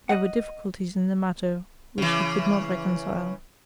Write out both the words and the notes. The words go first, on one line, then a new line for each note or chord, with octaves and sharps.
There were difficulties in the matter which he could not reconcile.
D#5 F#5
C#3 E3